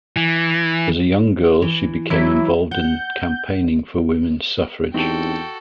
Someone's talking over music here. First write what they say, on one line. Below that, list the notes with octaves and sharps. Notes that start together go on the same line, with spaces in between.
As a young girl, she became involved in campaigning for women's suffrage.
E3
E3
E3 F#3 E4
F#5 G6
E2 C4 D#4 F#4 G4 A4 G5